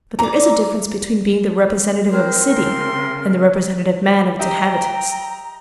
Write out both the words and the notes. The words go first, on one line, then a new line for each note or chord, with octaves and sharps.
But there is a difference between being the representative of a city and the representative man of its inhabitants.'
E3 D5 A#5
C4 A#4 C5
C#3 C6
G4 D#5 E5 G5 A#5